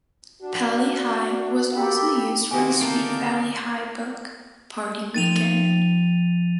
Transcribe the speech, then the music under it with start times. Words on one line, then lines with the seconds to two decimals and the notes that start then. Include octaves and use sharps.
Pali High was also used for the Sweet Valley High book, "Party Weekend".
0.42 D4 F#4
1.75 A#3 G4 A4 B5
2.51 C3 D#3 E4 F#4 G4 G#5
2.81 D3 A#3 A5 A#5 G6
5.14 F3 C4 D#4 A6 D#7 F7